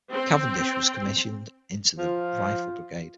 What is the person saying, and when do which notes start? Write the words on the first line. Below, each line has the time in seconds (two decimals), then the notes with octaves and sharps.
Cavendish was commissioned into the Rifle Brigade.
0.12 C4
1.98 F3 F4